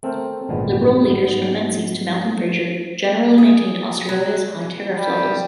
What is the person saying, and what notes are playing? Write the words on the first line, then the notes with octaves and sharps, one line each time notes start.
Liberal leaders from Menzies to Malcolm Fraser generally maintained Australia's high tariff levels.
A3 C4 A4 A#4 C5
G#1 F#2 A#2 D3 G#3 B3
G#2 B3
G#4
F#3
G3